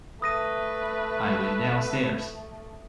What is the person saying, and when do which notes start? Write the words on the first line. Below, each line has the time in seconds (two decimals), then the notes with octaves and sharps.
I went downstairs.
0.22 A3 B4 D#6 A#6 D#7